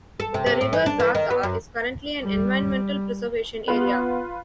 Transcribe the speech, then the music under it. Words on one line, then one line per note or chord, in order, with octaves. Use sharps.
The river Zaza is currently an environmental preservation area.
A4
C3
C3
A2
E3
D4
E3
D#3
B3
F#2
G3
B3 F4 B4